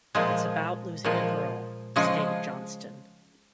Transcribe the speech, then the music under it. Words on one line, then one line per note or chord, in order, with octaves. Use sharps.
"It's about losing a girl," stated Johnston.
A#2 F3 G#3
A#2 F3 G#3
C#3 F3 G#3